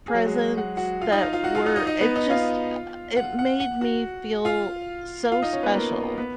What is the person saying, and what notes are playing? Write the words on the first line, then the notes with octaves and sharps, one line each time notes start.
presents that were it just uh, it made me feel so special,
G#4
F#3 F#4
G#3 G#4
F#5
F#4 F#5
F4 F5
D#4 D#5
F4 F5
F4 F5
F#4 F#5
F4 F5
D#4 D#5
D#4 D#5
D#4 D#5
B3 B4
D#4 D#5
F4 F5
F#5
F#5
F#5
F#4 F#5
F4 F5
F4 F5
D#4 D#5
C#4 C#5
B3 B4
A#3 A#4
B3 B4